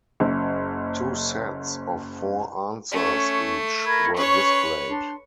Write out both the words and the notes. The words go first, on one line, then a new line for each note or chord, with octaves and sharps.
Two sets of four answers each were displayed.
F#1 F#2
A3 C#4
A#4 B5 G#6
C#4 B4 C#5 C6 C#6
D4 C6